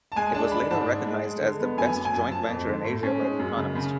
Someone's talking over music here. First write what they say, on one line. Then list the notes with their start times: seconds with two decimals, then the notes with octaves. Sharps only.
It was later recognized as the best joint venture in Asia by The Economist.
0.12 A5
0.16 G#3 G#5
0.35 D4 A5
0.51 D4 B5
0.71 G#2 A5
0.89 G#3
1.06 G#3
1.23 G#3
1.41 D3
1.60 B3
1.77 F#2 G#5
1.96 F#2
2.05 G#5
2.13 F#2
2.31 F3 A5
2.49 F2
2.67 D3
2.84 A2
3.03 C#4
3.21 G#3
3.39 F#2
3.57 C#3
3.75 C#3